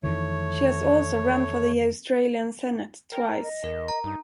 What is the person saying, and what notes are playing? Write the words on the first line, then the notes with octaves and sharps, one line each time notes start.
She has also run for the Australian Senate twice.
F2 D#3 E3 A3 C#5
A#4 G5
D#5
E2 A#4
A#5
G2 D#4